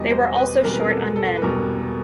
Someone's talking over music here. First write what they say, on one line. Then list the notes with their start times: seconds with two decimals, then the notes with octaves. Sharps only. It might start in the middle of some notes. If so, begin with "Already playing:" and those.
They were also short on men.
Already playing: E1 E2 B2 G3 D#5
0.10 C5
0.37 B4
0.64 E1 E2 B2 G3 A#4
0.72 B4
0.80 A#4
0.90 A4
1.16 A4
1.36 B4
1.42 E1 E2 B2 G3 A#4